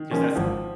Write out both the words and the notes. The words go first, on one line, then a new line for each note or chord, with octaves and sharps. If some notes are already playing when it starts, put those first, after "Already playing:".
'cause that's
Already playing: D#3
C#3 F3 A#3 C#4
G#1 F3